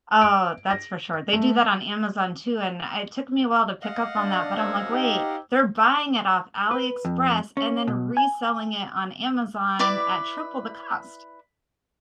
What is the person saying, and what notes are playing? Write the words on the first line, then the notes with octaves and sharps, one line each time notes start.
Oh, that's for sure. They do that on Amazon too, and I it took me a while to pick up on that, but I'm like, "Wait, they're buying it off Ali Express, and then reselling it on Amazon at triple the cost."
D7
A#6
A3
D#5 F5 F#5
D4 A6
F#2 C5 E6 G#6
D#4 G4
B4
F2
C#4
B2
G#5
E4 B4 D5 D6